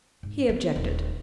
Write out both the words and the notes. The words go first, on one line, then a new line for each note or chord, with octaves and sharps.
He objected.
G#2
B3
D#1